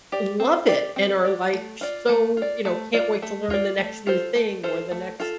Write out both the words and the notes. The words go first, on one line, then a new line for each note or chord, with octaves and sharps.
love it and are like, so, you know, “Can't wait to learn the next new thing or the next”,
G4 D5
C4
G4 D5
C4
G4 D5
A3
F4 D5
A3
F4 D5
A3
F4 D5
A3
F4 D5
A3
F4 A4 C5
A3
F4 A4 C5
A3
F4 A4